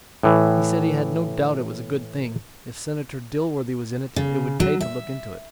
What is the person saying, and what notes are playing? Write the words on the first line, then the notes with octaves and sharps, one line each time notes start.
"He said he had no doubt it was a good thing; if Senator Dilworthy was in it, it would pay to look into it."
A2 E3
C#3
F#3
E5